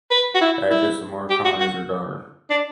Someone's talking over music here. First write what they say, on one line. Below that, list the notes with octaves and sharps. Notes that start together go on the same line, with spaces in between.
Actress Amar Khan is her daughter.
B4
F#4
E4
E4
G4
F#4
F#4
D4